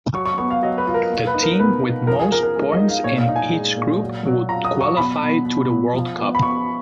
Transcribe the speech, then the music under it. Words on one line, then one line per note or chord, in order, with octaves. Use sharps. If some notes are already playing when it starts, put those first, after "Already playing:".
The team with most points in each group would qualify to the World Cup.
F#3 C#6
C#6
B3 C#6
F5
F#3 D#5
B4
F4
A#4
A#3
B4
D#4
A#4
B2 B4
D#4
F3 A#4
G#4
F3 A#4
A#4
G#3
D#5
D#4
F5
A#2 C#5
F5
D#4
G#5
G#3
A#2
F#3
F#3
F4 A#5
D#6
F#3
C#6
B2 B5
B2
B2
B2
F3
B3
B5
B3 C#6